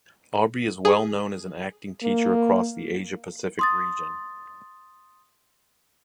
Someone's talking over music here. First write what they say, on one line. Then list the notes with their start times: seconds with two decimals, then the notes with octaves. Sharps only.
Aubrey is well known as an acting teacher across the Asia Pacific region.
0.85 G#4
2.03 A#3
3.59 C6 D#6 A6